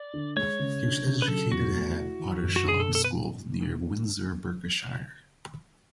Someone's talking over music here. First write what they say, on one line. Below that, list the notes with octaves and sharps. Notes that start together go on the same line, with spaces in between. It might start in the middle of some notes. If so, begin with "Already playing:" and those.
He was educated at Ottershaw School near Windsor, Berkshire.
Already playing: D5
D3
G#3 C#5
C#3
D4
C#3
B4
F#3 A4
E2 F#4
A3
E4
E3
F#2
F#4
D4 G#4
A4
B2
A4
B4